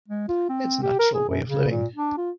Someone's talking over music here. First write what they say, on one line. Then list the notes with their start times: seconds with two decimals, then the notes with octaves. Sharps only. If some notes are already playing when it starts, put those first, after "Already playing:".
It's a natural way of living.
0.08 G#3
0.29 F4
0.49 C4
0.83 G4
0.99 A#4
1.15 G#4
1.30 F#2
1.47 C#3
1.70 A#2
1.96 D4
2.17 F4